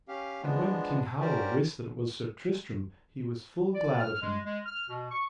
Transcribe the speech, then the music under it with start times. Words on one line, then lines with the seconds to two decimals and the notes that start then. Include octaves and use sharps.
And when King Howel wist that it was Sir Tristram he was full glad of him.
0.08 C#4 G4 F5
0.43 F3 G#3 B3 D4
1.21 C#4 F#4 G4 A#4 C5 D5
3.75 D5
4.00 F6
4.21 G#3
4.45 G#3
4.66 F6
4.89 B2
5.11 C#6